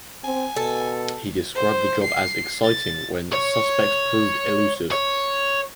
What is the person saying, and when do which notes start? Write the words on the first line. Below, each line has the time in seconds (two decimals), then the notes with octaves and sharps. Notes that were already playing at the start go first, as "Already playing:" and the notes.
He described the job as "exciting" when "suspects proved elusive".
0.24 C4 G#5
0.56 B2 A4
1.54 C5
2.03 C7
2.63 A6
3.33 C#5
4.92 C#5